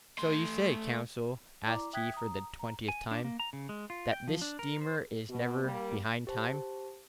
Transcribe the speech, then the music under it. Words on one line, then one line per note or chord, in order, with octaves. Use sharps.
"So you say, consul," asked he for the twentieth time, "that this steamer is never behind time?"
A3 C6
E4 D5 A#5 D6
E5 G5 D#6 F#6 G#6 B6
A#5 D#6
A#5
G#5
D4
A#3
A#5
C#3
G#3
F4
G5
F3
D4
A#4
C5
B2
G3 A#3
G4 C5 A5